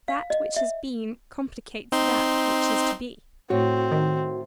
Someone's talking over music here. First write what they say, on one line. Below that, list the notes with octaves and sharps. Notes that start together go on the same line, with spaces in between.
That which has been complicates that which is to be.
F5
D#5
E5
C4 D#4 C6
A2 C4 F#4 C#5
D#3